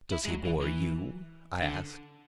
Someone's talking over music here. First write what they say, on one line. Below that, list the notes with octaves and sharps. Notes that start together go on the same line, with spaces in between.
"Does he bore you?" I asked.
E4
G#3
F#3
E3
E3
D3